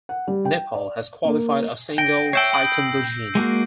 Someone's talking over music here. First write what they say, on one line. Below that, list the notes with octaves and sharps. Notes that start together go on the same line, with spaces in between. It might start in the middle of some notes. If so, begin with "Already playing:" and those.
Nepal has qualified a single taekwondo jin.
F#5
G3
G5
D5
A#3
G5 A#6 D7
C#5 E5 G5 E6 G6 C7
G5 B5 D#6
G#3 A#3 F#4